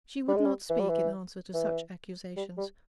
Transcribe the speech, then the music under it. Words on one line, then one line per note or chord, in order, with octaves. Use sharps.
She would not speak in answer to such accusations.
G3
G#3
G3
E3
G3
E3
E3
G3
G3